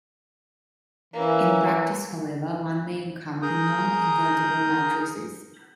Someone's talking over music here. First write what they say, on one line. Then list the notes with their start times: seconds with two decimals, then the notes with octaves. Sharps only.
In practice however, one may encounter non-invertible matrices.
1.13 E3 A#3 C#4
3.42 G#4 A#4 A#5 D#6 G6